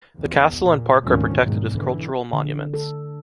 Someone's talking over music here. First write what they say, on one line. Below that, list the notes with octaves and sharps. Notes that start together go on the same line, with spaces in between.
The castle and park are protected as cultural monuments.
E2
A#2
G#1 D2 A#2 D#3 F3 C#4
B1 E2 G#2 D#3
D3 E3
D3
A4